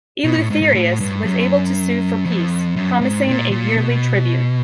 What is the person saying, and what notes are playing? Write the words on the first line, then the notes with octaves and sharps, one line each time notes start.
Eleutherius was able to sue for peace, promising a yearly tribute.
B2
A2
G#2
G#2
A2
G2
F#2
F2
F#2
G#2
A#2
A#2
B2